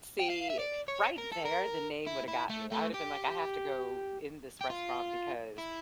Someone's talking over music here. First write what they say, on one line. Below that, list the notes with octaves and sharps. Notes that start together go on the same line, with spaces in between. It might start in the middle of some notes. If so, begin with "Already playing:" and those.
See, right there, the name woulda got me. I woulda been like, I have to go in this restaurant because
G5
F5
E5
D5
C#5
A#4
A4
A#4
E4
E4
A3
A3
G4
G4
F4
E4